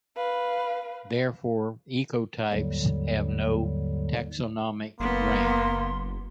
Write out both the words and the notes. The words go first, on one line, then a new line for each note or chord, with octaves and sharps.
Therefore, ecotypes have no taxonomic rank.
B4 F5
D#2 G#2 D3 F#3 G3
F#1 A#3 B3 C6